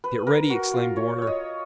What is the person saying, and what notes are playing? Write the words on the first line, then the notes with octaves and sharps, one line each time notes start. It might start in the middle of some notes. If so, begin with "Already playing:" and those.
"Get ready!" exclaimed Warner.
B4
A#4
F#4
F4
C#5
C#5
D#5